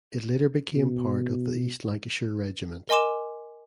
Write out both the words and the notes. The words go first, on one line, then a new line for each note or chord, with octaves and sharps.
It later became part of the East Lancashire Regiment.
B2
A#4 D#5 G#5 C6 D6 E7